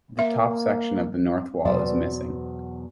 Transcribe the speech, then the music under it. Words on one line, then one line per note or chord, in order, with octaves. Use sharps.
The top section of the north wall is missing.
A#3 E5
E2 B2 F#3 B3 C5 D5